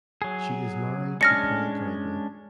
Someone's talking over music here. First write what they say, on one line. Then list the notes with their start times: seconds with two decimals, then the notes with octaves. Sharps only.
She is married to Paul Gardner.
0.22 F#3 G#4
1.21 G#3 C#4 D4 F6 A#6 C#7